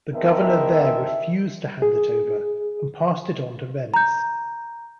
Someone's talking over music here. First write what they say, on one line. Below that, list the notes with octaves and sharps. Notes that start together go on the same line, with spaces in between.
The governor there refused to hand it over, and passed it on to Venice.
E2 C4 D4 D#4 A#4 E5
G#4
A#5 G6